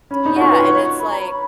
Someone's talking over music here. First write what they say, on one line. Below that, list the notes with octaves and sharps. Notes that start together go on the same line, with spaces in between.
Yeah, and it's like
C#4 B5
D#4
F#4
F4 C#6
B4
C#5
C#5
C#5 B5
A#5
B5
B5